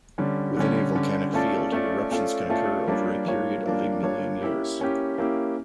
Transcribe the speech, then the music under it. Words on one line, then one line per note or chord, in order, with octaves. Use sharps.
Within a volcanic field, eruptions can occur over a period of a million years.
D3 G3 C#4
D3 G3 C#4
D3 G3 C#4
A3 C#4 F4 A4 D5
A3 C#4 F4 A4 D5
A3 C#4 F4 A4 D5
A3 C#4 F4 A4 D5
G3 A#3 D4 F4 C#5
G3 A#3 D4 F4 C#5
G3 A#3 D4 F4 C#5
G3 A#3 D4 F4 C#5
A#3 C#4 E4 G4
A#3 C#4 E4 G4
A#3 C#4 E4 G4